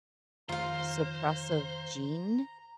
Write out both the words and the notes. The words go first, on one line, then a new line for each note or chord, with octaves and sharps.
suppressive gene
F2 D#3 F4 C5 F5 A#5